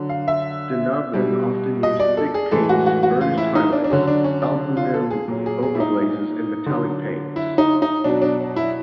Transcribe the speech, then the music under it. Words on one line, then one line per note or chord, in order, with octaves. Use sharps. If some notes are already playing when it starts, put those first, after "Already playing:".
Donovan often used thick paints, burnished highlights, albumen overglazes and metallic paints.
Already playing: D3 F#3
F5
E5
B2 G3
D#5
D5
A4
G#4
A2 E3 G#3 A4
F#4
F#4
F#4
F4
E4
D#4
D4
D4
D3 F#3 C#4
D4
C#4
D4
F4
A4
G#4
A#2 F#3
G#4
G#4
E4
D#4
D3 F#3
E4
D#4
D#4
B2 F#3 D4
D4
E4